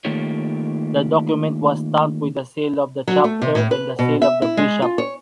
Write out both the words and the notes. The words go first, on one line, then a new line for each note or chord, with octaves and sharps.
The document was stamped with the seal of the chapter and the seal of the bishop.
D#3 A3 A#3 F4 G4 C#5
F#3
A3
C3
A2
B4
B2
E5
E4
G#3
F4
C#5